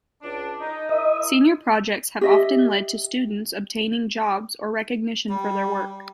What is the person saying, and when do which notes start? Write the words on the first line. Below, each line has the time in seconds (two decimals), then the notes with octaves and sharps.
Senior projects have often led to students obtaining jobs or recognition for their work.
0.22 C#2 D4
0.60 D#4
0.89 E4 A#4 D#5 E5
2.21 G4 D#5 E5
5.30 G3